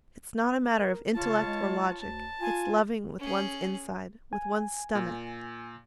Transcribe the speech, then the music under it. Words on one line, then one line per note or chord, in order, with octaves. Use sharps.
It's not a matter of intellect or logic, it's loving with one's inside, with one's stomach.
A#4
C#3 F4 C#5 A5
G#3
D2 A5
F4 G#5
C#4 G#4
G#5
A#2